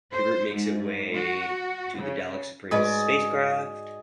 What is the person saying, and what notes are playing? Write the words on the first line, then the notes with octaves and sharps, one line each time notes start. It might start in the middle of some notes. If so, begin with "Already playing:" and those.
The group makes its way to the Dalek Supreme's spacecraft.
C5
G#2
F#4
C#3
G#2 F#4 G#4 B4 D5 D#5